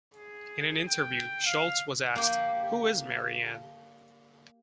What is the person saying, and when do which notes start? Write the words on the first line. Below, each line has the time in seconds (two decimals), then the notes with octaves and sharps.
In an interview Scholz was asked, Who is Marianne?
0.14 G#4
0.87 G5
1.46 F5
2.16 A#3 G4